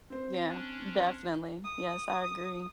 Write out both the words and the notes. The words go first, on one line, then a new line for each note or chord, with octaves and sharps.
Yeah, definitely. Yes, I agree.
C4 C5
C#4 D4
D#6